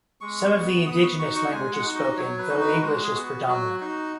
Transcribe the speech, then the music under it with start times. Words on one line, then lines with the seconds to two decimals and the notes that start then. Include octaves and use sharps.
Some of the indigenous language is spoken though English is predominant.
0.21 G#3 C#6
0.54 B3 F#4
0.86 B3 D#6
1.03 C#6
1.19 D#4 F#4 C#6
1.35 C#6
1.52 G#3 G#5
1.74 F#5
1.85 D#4 F#4
1.95 D#5
2.17 F#3 C#5
2.39 B4
2.49 D#4 F#4
2.61 B4
2.82 G#3 F#4
3.04 G#4
3.15 B3 F#4
3.47 F#3 F#4
3.80 D#4 F#4